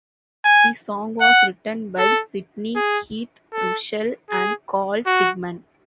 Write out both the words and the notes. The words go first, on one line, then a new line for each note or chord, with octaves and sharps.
The song was written by Sidney Keith Russell and Carl Sigman.
G#5
F#5
A4
G#4
A4
G#4
F#4